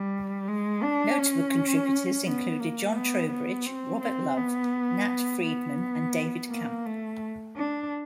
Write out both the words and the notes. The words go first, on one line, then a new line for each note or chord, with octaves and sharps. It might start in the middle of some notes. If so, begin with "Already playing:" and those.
Notable contributors included Jon Trowbridge, Robert Love, Nat Friedman and David Camp.
Already playing: G3
G#3
D4
C#4
B3
A#3
B3
B3
C4
C4
B3
B3
A#3
A3
D4